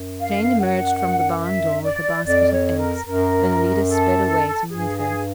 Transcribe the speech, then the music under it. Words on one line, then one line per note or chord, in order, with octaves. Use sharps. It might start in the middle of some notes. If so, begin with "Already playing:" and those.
Jane emerged from the barn door with a basket of eggs, and Alida sped away to meet her.
Already playing: F#2
F5
F#5
E5
D5
F2 D5
C#5
A#4
F#2 A#4
A4
G2 G#4
G#4